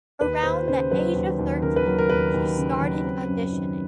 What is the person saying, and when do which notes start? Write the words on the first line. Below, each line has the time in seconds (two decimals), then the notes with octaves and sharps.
Around the age of thirteen she started auditioning.
0.21 D#2 B4
0.43 D#2 C5
0.68 C#3 C5
0.91 F#3 B4
1.15 D#2
1.39 D#2
1.62 C#3 A#4
1.76 B4
1.86 F#3 A#4
1.99 A#4
2.10 D#2 B4
2.34 D#2
2.57 C#3
2.81 F#3
3.04 C4
3.28 F#2
3.52 D#3